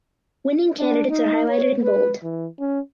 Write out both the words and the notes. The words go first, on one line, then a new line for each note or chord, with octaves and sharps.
Winning candidates are highlighted in bold.
D4
D#4
C#5
B4
E3
C#4